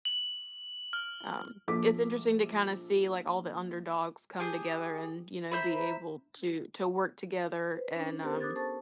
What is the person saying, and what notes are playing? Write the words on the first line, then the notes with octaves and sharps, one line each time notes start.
um, it's interesting to kinda see, like, all the underdogs come together and, you know, be able to to work together and, um
F#7
F6
A#1 A4 D6 B6
G4 G#4 D#6
C5 E5 A#5 B5
B4 C5
C#4 D4
B3 G4 A4 A#4 C5
D6 D#6 F#6 G#6 A6
A4 C5 A5 C#6 A6